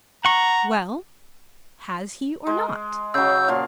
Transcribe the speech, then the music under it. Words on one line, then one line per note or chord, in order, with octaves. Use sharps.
"Well, has He or not?"
F#5 A#5 C#6
G#3
C#3 F#3 E6 G6
A#2 F3 F5